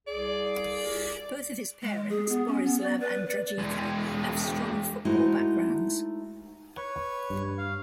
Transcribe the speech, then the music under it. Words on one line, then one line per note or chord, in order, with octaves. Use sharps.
Both of his parents, Borislav and Dragica, have strong football backgrounds.
C2 G#4 D5
G#3
G#4
B3
C#4
B3
D5
B4
D5
E2 G#3
G#3 A3 D#4 E4 F#4 C5
B4 C#5 C#6
G2
F5